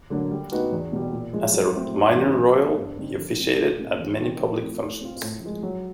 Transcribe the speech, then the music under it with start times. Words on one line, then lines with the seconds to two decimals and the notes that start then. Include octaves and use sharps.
As a "Minor Royal", he officiated at many public functions.
0.10 D3 F#3 A#3 D4
0.31 G3
0.52 B3 D#4 F#4 B4
0.72 E2
0.92 B2 G3
1.12 A#2
1.33 F3 G#3
1.54 F#3
1.74 A3 C4 E4
1.94 G2
2.16 E3 G3 A#3 D4
2.35 F#3
2.56 B3 E4 A4 C5
2.76 G2
2.97 D3 G3 C4 D#4
3.17 F3
3.37 G#3 C4
3.58 A#2
3.78 G3 A#3 C#4
3.99 E2
4.19 C3 D#3 G3
4.40 F3
4.61 A3 C4
4.81 A3
5.01 C4 F4
5.21 A2
5.42 F3 G#3
5.63 F#3